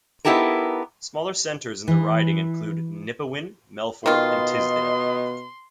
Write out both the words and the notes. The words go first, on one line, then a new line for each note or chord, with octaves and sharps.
Smaller centres in the riding include Nipawin, Melfort, and Tisdale.
B3 D#4 E4 G4 A4 A#4
E3
B2 D#3 F4 D#5 C6